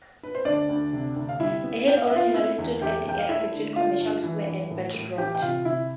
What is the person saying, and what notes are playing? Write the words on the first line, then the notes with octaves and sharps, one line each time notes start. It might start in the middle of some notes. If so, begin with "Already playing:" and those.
A hill originally stood at the area between Commercial Square and Battery Road.
B4
C5
D2 D4 D5
D2
C3
D2
F5
G3 E4 E5
B3
B3 G5
F5
E5
B3 F4 F5
C4 E4 E5
E2
E2 G4 G5
E2 G5
F5
A3 E4 E5
D3
D3 F4 F5
G2
E3
E3
A2
A2
E3 G4 G5
G5
C3 F4 F5
C3 E4 E5